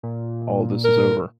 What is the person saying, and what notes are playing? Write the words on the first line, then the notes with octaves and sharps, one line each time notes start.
all this is over,
A#2
A#4